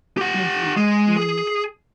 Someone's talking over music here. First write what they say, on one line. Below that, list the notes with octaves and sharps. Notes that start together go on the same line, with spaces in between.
Mhm, mhm.
G4 F#5
G#3
G#4